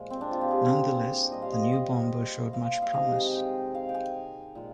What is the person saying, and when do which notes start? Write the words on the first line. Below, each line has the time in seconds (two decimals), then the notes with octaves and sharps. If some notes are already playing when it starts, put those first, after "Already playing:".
Nonetheless, the new bomber showed much promise.
Already playing: A#2 F3 G#3
0.10 C4
0.21 D4
0.31 F4
0.41 G4
0.51 G#4
1.31 A#2 G3 D#5
1.42 F5
1.52 D#5
1.62 D#5
1.73 D#5
2.53 F5
2.82 F5
2.93 C3 D#3 G#3 D#5
3.14 F5
3.34 G5
3.75 F5
3.89 G5
3.94 G#5
4.55 A#2 G#3